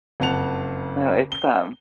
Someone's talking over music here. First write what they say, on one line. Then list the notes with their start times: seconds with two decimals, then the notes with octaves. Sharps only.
No, it's them.
0.20 F#1 F2 F#5 A5 F7
1.32 G7